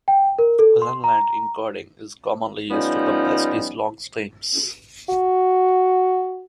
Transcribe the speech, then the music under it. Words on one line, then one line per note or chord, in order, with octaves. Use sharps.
Run-length encoding is commonly used to compress these long streams.
G5
A#4
A4
C6
A#5
F3 G3 B3 C#4 D#4
F#4